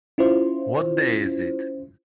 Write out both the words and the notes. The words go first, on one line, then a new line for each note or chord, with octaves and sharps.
What day is it?
C#4 E4 F4 C5